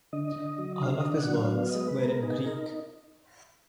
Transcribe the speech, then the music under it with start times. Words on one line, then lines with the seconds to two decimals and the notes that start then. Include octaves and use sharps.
All of his works were in Greek.
0.13 D3 D#5
0.36 D3
0.58 F#3
0.76 D#5
0.82 D3 F5
1.00 D#5
1.05 D4
1.17 F#5
1.29 F#3
1.35 F5
1.52 B3 F5
1.69 D#5
1.75 G#3
1.88 B4
1.99 B3
2.04 A#4
2.23 D#4 G#4
2.45 D#4 A#4